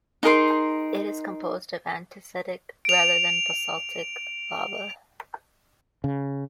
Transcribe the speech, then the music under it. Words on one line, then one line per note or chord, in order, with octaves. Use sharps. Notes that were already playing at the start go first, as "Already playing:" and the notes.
It is composed of andesitic rather than basaltic lava.
D#4 G#4 A#4 C6
D7 F7
C#3